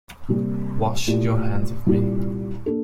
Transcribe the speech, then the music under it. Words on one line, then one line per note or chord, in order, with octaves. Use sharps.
Wash your hands of me.
C3 G3 A#3
A#2 A3 E4 G4
C2 A#2 G3
A#3 D4 A4